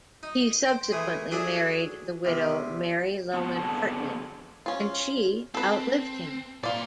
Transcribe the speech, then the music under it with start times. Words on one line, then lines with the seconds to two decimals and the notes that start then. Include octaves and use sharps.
He subsequently married the widow Mary Loman Hartman, and she outlived him.
0.23 D#4
0.66 C5 G5
0.92 E3 A3 G#4
1.31 F#3 D4 G#4 A4 E5
2.25 E2 C3
3.34 B3 F4 F#4 A5
3.56 F2 D3 F#3 B3 G#4 A5
4.66 C#4 F4
5.54 C4 A4 B4
6.63 A#2 F4 D5 C6